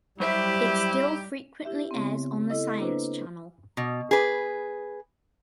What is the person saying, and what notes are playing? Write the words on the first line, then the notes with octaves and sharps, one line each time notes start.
It still frequently airs on The Science Channel.
F#3 G3 E4 G4 C5 E5
E4 G4 E5
C#3 B3 C4
E4 A4 D#5
A#3 D4 E4 B4 C5
B2
G#4 B4